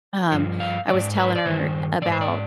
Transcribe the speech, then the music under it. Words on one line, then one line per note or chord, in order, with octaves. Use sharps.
um, I was telling her about
G2 F3
F5
D#3 D5
G#2
B4
D5
G2 D#3 C5
G#2 D#3 D5
C5
D5